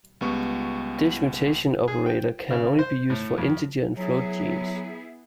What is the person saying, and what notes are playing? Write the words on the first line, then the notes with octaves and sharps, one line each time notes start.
This mutation operator can only be used for integer and float genes.
C#2 G3 B3 C#6
G#4
G5
C#3
C5
A2
F2
F#3 B3 E4 G#4